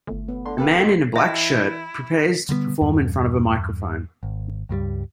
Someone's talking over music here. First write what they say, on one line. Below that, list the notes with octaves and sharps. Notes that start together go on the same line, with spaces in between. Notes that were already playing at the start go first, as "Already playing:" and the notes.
A man in a black shirt prepares to perform in front of a microphone.
G1 A3
B3
D3 C6
G4 A4 B4 F5
G#2 G#3 A3
E3 E4 D#5 E5 G5 A5
D3 G3 G#3 B3
E2 G2
G#1
C#2 G2 F#3 G3